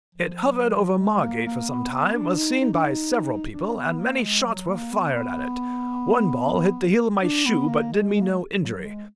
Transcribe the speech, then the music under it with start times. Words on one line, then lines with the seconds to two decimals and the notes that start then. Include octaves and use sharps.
It hovered over Margate for some time, was seen by several people, and many shots were fired at it; one ball hit the heel of my shoe, but did me no injury.
0.15 F3
0.45 F#3
0.77 F#3
1.00 G#3
1.22 A#3
1.46 A#3
1.69 B3
1.91 B3
2.14 D4
2.38 D#4
2.61 D#4
2.73 D4
2.83 D#4
3.53 D4
3.76 B3
3.99 A#3
4.22 G#3
4.46 F#3
4.69 A#3
4.92 B3
5.15 B3
7.23 D4
7.46 B3
7.68 A#3
7.92 G#3
8.15 G#3
8.22 A#3
8.30 G#3
8.60 F#3
8.84 G#3